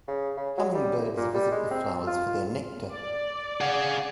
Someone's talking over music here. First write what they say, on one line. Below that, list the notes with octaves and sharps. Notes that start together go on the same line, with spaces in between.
Hummingbirds visit the flowers for their nectar.
C#3
C#3
F#3
G3
A2
A#2
G3
G#3
C4
F4
D5
G#4 F5 F#5